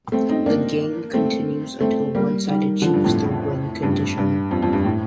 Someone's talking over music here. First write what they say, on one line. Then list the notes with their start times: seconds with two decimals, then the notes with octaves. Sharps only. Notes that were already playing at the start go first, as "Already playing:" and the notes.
The game continues until one side achieves their win condition.
0.12 A3 C4
0.29 C4 D#4
0.46 A#3 D4
1.13 A3 C4
1.81 A3 C4
2.15 G3 A#3
2.48 D#3 G3
2.82 D3 F3
2.94 G2
3.04 F2 A2
3.83 G2
4.18 G2
4.51 F2
4.62 F2
4.73 G2
4.85 A2